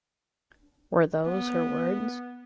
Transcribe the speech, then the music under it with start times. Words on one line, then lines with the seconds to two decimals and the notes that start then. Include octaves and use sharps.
Were those her words?
1.25 B3